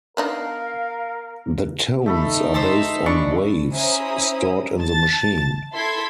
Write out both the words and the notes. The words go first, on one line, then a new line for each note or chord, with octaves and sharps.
The tones are based on waves stored in the machine.
B3 D4 D#4 A#4 F5
A3 D#4 A4 B5
C5 E5 A5
D4 B5 C#6
C#4 E4 C5 A#5 D#6
A5 A6
E4 A4 C6 G#6 B6